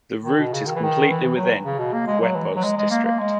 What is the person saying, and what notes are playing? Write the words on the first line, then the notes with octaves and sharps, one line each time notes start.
The route is completely within Quepos district.
D#3
B2
C#3
D#3
E3
D#3
E3
E3
F#3
C#3
B2
A#3
G#3
F#3
E3
F#3
G#3
G#3
A#3
A#3
G#3